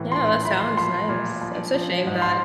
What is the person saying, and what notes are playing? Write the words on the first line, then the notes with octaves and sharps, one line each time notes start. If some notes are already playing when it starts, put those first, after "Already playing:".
Yeah, that sounds nice. It's a shame that
Already playing: A2 E3
A#2 C6
C6
F3 B5
C6
F3 C6
A#2
F3
F3
G#2
C6